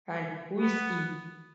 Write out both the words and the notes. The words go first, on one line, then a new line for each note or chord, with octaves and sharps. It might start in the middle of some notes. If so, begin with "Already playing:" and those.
And who is he?
B3